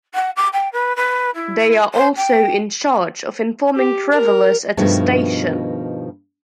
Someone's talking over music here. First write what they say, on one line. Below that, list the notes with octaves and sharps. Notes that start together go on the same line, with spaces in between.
They are also in charge of informing travelers at the station.
F#5
D6
G5
B4
B4
E4
C5
G5
G4
A#4
G2 B2 D#3 F3 A3